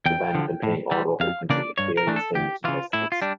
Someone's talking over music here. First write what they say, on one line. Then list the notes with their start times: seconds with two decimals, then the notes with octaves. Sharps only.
The band have been playing all over the country at various venues and festivals.
0.06 E2 G5
0.35 D3 F3
0.63 A2
0.91 E3 G3
1.20 F2 F5
1.50 C#3 E3 A#3 D4 D5
1.78 G2 C#5
1.97 A#4
2.07 E3 A3 D4
2.16 A4
2.35 D2 G4
2.64 C#3 E3 F4
2.93 A2 E4
3.12 F4
3.22 G3 D4